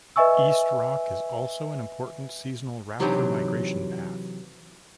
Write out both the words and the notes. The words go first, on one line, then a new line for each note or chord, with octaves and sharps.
East Rock is also an important seasonal raptor migration path.
B4 D#5 E5 G#5 C#6 E6
C3 E3 F#3 D4 D#4 G4